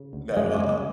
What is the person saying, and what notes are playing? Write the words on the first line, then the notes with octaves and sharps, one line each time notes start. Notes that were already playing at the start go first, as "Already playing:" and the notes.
No, uh-uh,
Already playing: C#3
D2
F#2 G#3
C#3 G#3